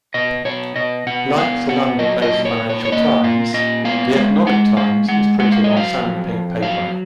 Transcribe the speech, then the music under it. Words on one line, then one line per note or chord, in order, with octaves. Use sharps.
Like the London-based "Financial Times", "The Economic Times" is printed on salmon pink paper.
B2 D#5
B2 C#5
B2 D#5
B2 F#5
B3 F5
B2 F#5
F#3 D#5
D#5
A#2
C#5
A#2
C#5
C#5
A#3 D#5
A#2 F5
A#2 D#5
B3 F5
G#3 F5
G#3 F#5
G#3 F5
G#3 F#5
G#3 F#5
F5
D#5
F#3
F5
F2
F2
F#3 F5